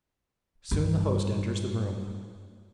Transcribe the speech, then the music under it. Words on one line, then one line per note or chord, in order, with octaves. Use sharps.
Soon the host enters the room.
G2 G3